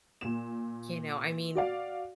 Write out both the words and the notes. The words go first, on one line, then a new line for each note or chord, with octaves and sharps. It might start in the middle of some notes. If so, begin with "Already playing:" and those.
You know, I mean,
A#2 E7
F#4 D5 F5